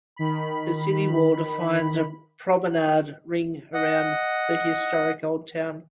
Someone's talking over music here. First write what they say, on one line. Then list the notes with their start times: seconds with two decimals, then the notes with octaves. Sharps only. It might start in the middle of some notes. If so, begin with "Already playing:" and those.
The city wall defines a promenade ring around the historic Old Town.
0.16 D#3 B5
3.74 D#5 F#5